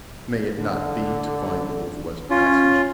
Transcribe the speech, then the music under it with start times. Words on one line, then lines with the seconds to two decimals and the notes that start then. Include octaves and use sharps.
May it not be to find the North-West Passage?
0.58 D3
2.31 C#4 F4